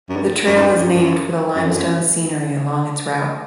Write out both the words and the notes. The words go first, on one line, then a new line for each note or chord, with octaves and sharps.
The trail is named for the limestone scenery along its route.
F#2
G2
F#2
G#2
G2
F#2
F#2
F#2
F2
F#2